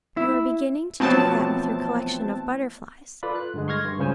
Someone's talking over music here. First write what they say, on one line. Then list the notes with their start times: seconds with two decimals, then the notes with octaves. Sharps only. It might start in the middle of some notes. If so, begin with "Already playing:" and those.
You are beginning to do that with your collection of butterflies.
0.17 E4
1.00 E2 B2 F3 F#3 A3 C4 A5
3.23 F4 A4 B4 D5 B5
3.36 F#6
3.54 G2 D3 G#3
3.68 C6 C#6 F6 G#6 A#6
3.84 G2
3.99 C#2 C#3 C#4 C5 C#5 G#5